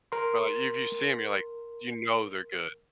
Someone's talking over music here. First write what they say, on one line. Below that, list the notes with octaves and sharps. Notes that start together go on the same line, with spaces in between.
but like if you see him, you're like, you know, they're good.
A#4 C6